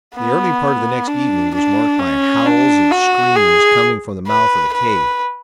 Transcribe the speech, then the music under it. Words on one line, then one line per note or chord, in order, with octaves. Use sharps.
The early part of the next evening was marked by howls and screams coming from the mouth of the cave.
B3
D4
D4
C#4
D4
F#4
G#4
B4
B4